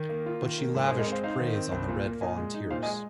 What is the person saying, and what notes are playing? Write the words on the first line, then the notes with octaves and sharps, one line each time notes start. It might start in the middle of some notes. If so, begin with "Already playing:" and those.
But she lavished praise on the Red Volunteers.
Already playing: D#3
A#3
F4
D#3
A#3
G#2
G#4 C5
G#3
A#4 D#5
C4
C5 F5
D#4 C5 F5
D#3
C4
C2
A#2
A#3
A#2 D#5 G#5
G#3
D#4
A#2 C5 F5
D#5 G#5
G#3